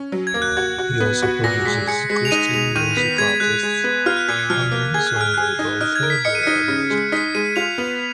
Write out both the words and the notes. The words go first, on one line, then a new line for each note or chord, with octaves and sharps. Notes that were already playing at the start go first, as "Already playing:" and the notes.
He also produces Christian music artists under his own label "Third Ear Music".
Already playing: C#4
F#3
G#6
A#3
F#6
F#4 G#6
F#4
B3
F#4
A#2 A#6
G#3 B6
G#4 C#7
G#3 B6
F7
D#4 D#7
G#3 F7
D#3 D#7
B3 B6
G#3 G#6
G#3 F#6
G#3
B3
F4 F6
F#6
A#2 G#6
F#6
F3 F6
A#3
G#4 G#6
F#6
G#4 F6
G#4 F#6
D#4
D#4 F6
G#6
A#4
B6
D#5 C#7
D#7
D#4 C#7
C#3
G#3
D#4 B6
G#3 D#7
F4 F7
B3